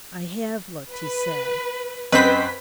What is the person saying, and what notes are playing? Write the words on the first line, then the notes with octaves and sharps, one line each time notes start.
"I have looked," he said.
B4
F#2 C4 B4 C5 D#5 B6